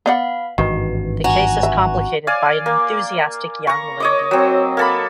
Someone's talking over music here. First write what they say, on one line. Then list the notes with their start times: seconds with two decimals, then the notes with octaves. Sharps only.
The case is complicated by an enthusiastic young lady.
0.06 B3 D5 F5 F#5 B5
0.58 G#1 G2 D#3 E3 F#4
1.24 F#4 G#5 A#5
1.63 E5
2.27 D5 F5 G#5
2.66 A#3
3.67 A#5 C#6
4.00 C#5 D#5 D6
4.31 F#3 C4
4.77 A#3 A4 B5